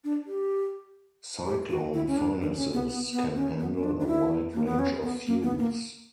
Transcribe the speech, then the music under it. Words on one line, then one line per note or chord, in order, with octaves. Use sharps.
Cyclone Furnaces can handle a wide range of fuels.
D4
G4
G4
F#4
E4
C#4
D4
D4
C#4
B3
B3
B3
C#4
B3
C#4
D4
D4
E4
A#3
B3
C#4
B3
A#3
B3
A#3